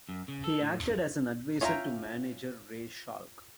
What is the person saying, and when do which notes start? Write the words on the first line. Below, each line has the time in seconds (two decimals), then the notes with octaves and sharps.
He acted as an advisor to manager Ray Schalk.
0.09 F#2
0.28 C#3
0.44 A4
0.61 A2
1.61 C#4 F4 E5 G5 A#5